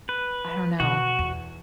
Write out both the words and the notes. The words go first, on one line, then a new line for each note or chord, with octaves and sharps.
I don't know.
B4
B2 F#4
E2